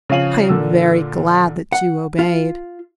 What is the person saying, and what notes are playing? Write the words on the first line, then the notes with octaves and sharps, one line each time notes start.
I am very glad that you obeyed.
C#3 F3 C#4 F5 D#7 F#7
A#2 D3 E6
F#5
F4